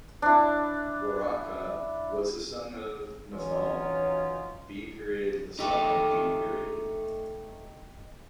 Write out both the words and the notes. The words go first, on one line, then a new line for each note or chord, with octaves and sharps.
Waraka was the son of Nawfal b. Asad b.
D4 E4
E3 F#3 C#4 D#4 F4
A3 D#4 G4 A4